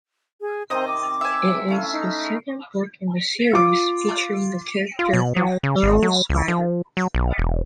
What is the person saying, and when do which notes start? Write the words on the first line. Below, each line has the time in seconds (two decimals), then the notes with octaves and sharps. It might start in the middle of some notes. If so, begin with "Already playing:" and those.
It is his second book in the series featuring the character of Earl Swagger.
0.41 G#4
0.70 C3 D#3 C4 C5 D#5 D#6
0.88 D6
1.21 E5 G#5
1.68 E3 A3 C#4 F5
1.92 D#4
3.53 F4 D6
4.99 F4
5.13 B2
5.36 F#3
5.63 C#3
5.83 G#1
6.02 F#3
6.29 C#2
6.48 F3
6.97 F#3
7.15 B1
7.38 E1